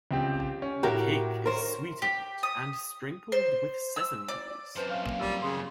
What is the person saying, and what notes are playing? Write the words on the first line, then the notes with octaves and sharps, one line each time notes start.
The cake is sweetened and sprinkled with sesames.
C#2 C4 G4
C#4
A2 F#4 G4 A#4 A#5
A#4 C5 C#5
G4
D#6
C5
E6
D5
F#2 C3 G4 B4 C5 A5
C5 C#5 E5 F5
A#3
G3 F4 E6
C#3 B5 C6 D#6
F4 C#5